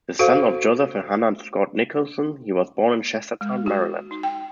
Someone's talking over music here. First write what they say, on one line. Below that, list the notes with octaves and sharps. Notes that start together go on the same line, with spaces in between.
The son of Joseph and Hannah Scott Nicholson, he was born in Chestertown, Maryland.
F#4 A4 C5 F5
G#3
F#4
D#4
G5